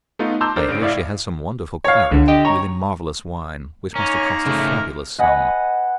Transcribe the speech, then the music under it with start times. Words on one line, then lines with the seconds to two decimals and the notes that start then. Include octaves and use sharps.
I hear she has some wonderful claret, really marvellous wine, which must have cost a fabulous sum.
0.19 A3 B3 D#4 F4
0.41 A5 A#5 C6 D6 E6 G6
0.56 D4 A4 A#4 C5 D5
0.68 G#1 C#3 D7
0.81 A2 E4 D5 E5 F5
1.85 C#5 F5
2.11 C#2 D3
2.28 G4 D#5
2.45 C#5 A#5
3.96 D#3 A#3 C#4 A#4
4.46 C#3 A3
5.19 B4 D#5 F#5 G#5